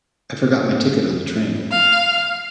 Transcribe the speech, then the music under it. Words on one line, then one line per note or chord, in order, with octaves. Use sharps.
I forgot my ticket on the train.
F5